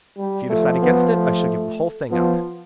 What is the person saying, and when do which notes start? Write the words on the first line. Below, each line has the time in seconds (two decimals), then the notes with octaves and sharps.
If you decide against it, I shall give the whole thing up.
0.18 G3
0.50 F3 A3
0.82 B3
1.15 A3
2.11 F3 B3